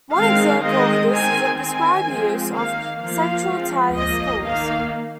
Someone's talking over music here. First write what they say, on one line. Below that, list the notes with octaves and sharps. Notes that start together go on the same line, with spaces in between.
One example of this is the prescribed use of Central Thai in schools.
D#3 G#3 C4 F5
D#3 G#3 C4 D#5
D#3 C4 G#5
D#3 C4 G#5
F3 G#3 C4
D#3 A#3 F5
F3 A#3 F5
F3 G#3 C4
F3 A#3 D#5
D#3 A#3 F5